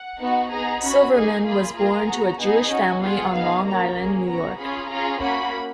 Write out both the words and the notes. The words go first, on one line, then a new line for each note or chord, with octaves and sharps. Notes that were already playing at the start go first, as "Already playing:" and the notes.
Silverman was born to a Jewish family on Long Island, New York.
Already playing: F#5
B3 D#4 F#4
B3 D#4 G#4 A#5
C#4 F#4 B5
A#3 D#4 G#4 G#5
A#3 F4 G#4 B5
A#3 F4 G#4 A#5
B3 F#4
B3 D#4 G#4 G#5
C#4 F#4
B3 F4 G#4 F#5
B3 D#4 G#4 F5
A#3 C#4 F#4 A#5
A#3 C#4 G#4
B3 F#4 A#5
C#4 F4 G#4 B5
C#4 F4 G#4 A#5
A#3 C#4 F#4 B5